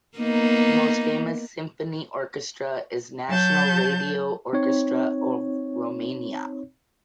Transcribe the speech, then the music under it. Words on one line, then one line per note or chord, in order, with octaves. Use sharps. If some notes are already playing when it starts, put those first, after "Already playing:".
The most famous symphony orchestra is National Radio Orchestra of Romania.
A#3 B3 D#4
F#3 A5 G6
C4 D#4 C#5